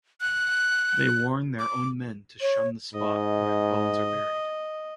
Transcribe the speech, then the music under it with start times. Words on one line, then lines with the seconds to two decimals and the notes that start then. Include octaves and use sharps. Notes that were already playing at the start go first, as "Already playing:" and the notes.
They warn their own men to shun the spot where the bones are buried.
0.21 F#6
1.59 D6
2.41 C#5
2.94 G#2 D#5